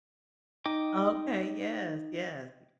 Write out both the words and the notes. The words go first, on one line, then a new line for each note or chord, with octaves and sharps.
Oh, okay, yes, yes, becau
D#4 D#5 G5 D6